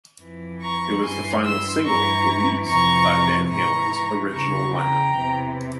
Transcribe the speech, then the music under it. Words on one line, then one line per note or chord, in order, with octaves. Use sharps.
It was the final single released by Van Halen's original lineup.
F2 E3
A#5 C#6
G2 E3 G#5 C6
C6 E6
G2 E3 A#5 C#6
F2 C3 E3 A#5 C#6
G#2 E3 A#5 C#6
E2 C#3 E3 A#5 C#6
G5 A#5
E2 C3 E3